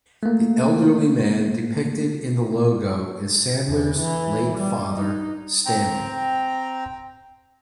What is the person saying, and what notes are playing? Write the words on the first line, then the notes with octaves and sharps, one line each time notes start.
The elderly man depicted in the logo is Sandler's late father, Stanley.
A3 A#3
E2
E3
G3
D#4
C4 G5 A#5